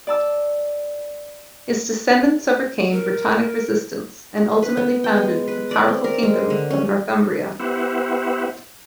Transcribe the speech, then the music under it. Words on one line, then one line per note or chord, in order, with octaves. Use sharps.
His descendants overcame Brittonic resistance and ultimately founded the powerful kingdom of Northumbria.
D5 A5 E6
A#4
B4
B3
G5
G#3
B4
D5
C4
A#4
G#3
D3
C#4
B3 E4 G4 C5 E5 F#5